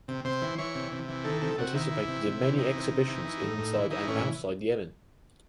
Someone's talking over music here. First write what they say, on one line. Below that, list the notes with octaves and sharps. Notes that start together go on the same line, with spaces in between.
Participated in many exhibitions inside and outside Yemen.
C3
C3 C5
E3
E3 C#5
C3
C3
E3
D#3 A4
C3 A4
C3 F#4
D#3 E4
E3
C3
C3
E3
E3 D#4
C3
C3
E3
E3
A2
A2
E3
E3 D#4
A2 C#4